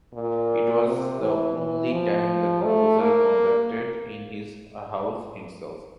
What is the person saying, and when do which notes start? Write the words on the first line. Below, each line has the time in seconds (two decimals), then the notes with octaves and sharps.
It was the only time the composer conducted in his house himself.
0.14 A#2
0.85 C3
1.21 E3
1.57 E3
1.92 F3
2.64 A3
3.00 A#3